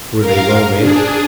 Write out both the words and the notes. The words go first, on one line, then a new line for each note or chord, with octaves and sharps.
Were they well made?
A#4 F5
D4 G#4